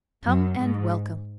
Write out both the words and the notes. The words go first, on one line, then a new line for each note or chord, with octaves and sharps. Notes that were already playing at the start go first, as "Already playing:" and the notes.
"Come, and welcome."
F#2
G#2